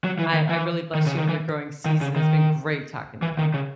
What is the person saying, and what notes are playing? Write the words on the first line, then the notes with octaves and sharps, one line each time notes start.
I I really bless you in your growing season. It's been great talking to you.
F#3
E3
D#3
E3
D#3
C#3
D#3
E3
D#3
C#3
D#3
E3
D#3
C#3